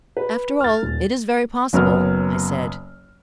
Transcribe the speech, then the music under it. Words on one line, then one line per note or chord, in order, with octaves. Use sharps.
"After all it is very possible," I said.
B4
F6 A6
D#1
F#1 F#3 B3 F6